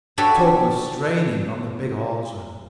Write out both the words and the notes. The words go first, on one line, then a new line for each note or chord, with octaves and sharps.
The tug was straining on the big hawser.
D4 F#4 G4 A4 B4 C#5